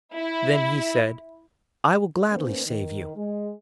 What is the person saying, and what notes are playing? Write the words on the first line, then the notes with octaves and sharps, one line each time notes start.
Then he said, 'I will gladly save you!'
E4
D#3 A#3 B3 C#4 C5 D5
D#3
G#3